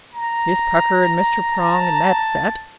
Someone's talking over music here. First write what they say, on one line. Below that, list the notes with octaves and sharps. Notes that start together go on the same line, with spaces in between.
"Miss Pucker, and Mr. Prong, and that set."
A#5
A5